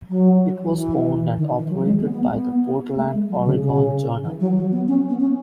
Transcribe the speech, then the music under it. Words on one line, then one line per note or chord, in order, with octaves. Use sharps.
It was owned and operated by the Portland Oregon Journal.
F#3
E3
D#3
E3
F#3
G#3
B3
B3
B3
A3
G#3
F#3
C#3
C#3
E3
F#3
F#3
B3
C#4
B3
C#4